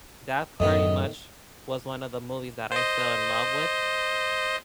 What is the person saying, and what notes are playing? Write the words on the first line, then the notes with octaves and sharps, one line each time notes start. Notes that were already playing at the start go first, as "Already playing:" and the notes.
That pretty much was one of the movies that I fell in love with,
F#2 A2 D#3 F#3 B3 D#5
C5 D#5